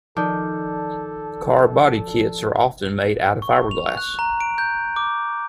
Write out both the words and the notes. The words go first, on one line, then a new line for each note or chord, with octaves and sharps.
Car body kits are often made out of fiberglass.
D#3 F3 A4 D5 A5 D6 G6
C#6
F7
F#6
A#5
D7
G6
D6